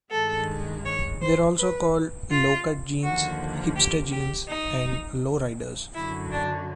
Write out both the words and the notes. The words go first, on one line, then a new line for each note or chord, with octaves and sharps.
They are also called "lowcut jeans", "hipster jeans", and "lowriders".
G2 D#3 G#3 A4
C#5
C5
B4
F4
D#2 D3 F3 A#3 F#4
G4
G4
D#4
F#2 D3 F#3 E4
D4